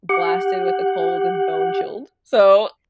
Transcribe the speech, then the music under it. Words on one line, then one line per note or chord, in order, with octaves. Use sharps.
blasted with a cold and bone chilled? So
G4 F#5